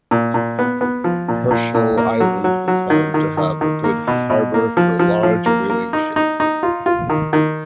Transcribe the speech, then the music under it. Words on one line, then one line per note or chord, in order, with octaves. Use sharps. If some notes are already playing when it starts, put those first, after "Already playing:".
Herschel Island was found to have a good harbour for large whaling ships.
A#2
A#2
B3
B3
F3
A#2
A#2
A#2
A#3
F#3
F#3
F#3
D#3
D#3
D#3
D#3
A#3
B2
B2
A#3
F3
F3
F3
A#3
A#3
D#4
D#4
D#4
F4
F4
D#3
D#3